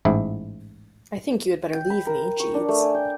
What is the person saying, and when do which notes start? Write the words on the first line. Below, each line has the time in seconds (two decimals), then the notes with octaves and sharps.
I think you had better leave me, Jeeves.
0.05 A1 G#2 E4
1.74 G5
1.90 B5
2.07 A#4
2.40 C#6
2.54 D4
2.69 A3
2.81 G#5
2.94 G5